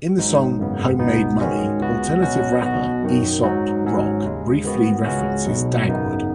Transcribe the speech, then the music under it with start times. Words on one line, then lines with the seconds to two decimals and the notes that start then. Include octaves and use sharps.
In the song "Homemade Mummy" alternative rapper Aesop Rock briefly references Dagwood.
0.18 G#1 G#2 F#3 D#4
0.58 G#1 F#2 C#3 B3
0.99 C#2 B2 B3 D#4
1.39 G#2 D#3 G#3 C#4 F#4
1.80 C#2 C#3 B3 F#4
2.21 B2 F#3 C#4 F#4
2.62 B1 B2 B3 F#4
3.02 F#2 D#3 F#3
3.43 G#2 F#3 D#4 F#4
3.83 G#1 G#2 F#3 C#4
4.24 D#2 C#3 G#3
4.65 G#2 D#3 B3 F#4
5.05 C#2 C#3 G#3 C#4 F#4
5.46 B1 B2 F#3
5.87 G#1 F#2 C#3 B3 D#4